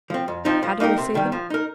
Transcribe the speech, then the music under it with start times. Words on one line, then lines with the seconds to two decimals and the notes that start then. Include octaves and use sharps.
How did we see them?
0.10 F3 C4
0.28 F2
0.45 F3 C4 D#4
0.63 F3
0.80 A#3 D#4 G4 A#4
0.98 C3
1.15 D#3 G3
1.32 F3
1.50 D#4 A#4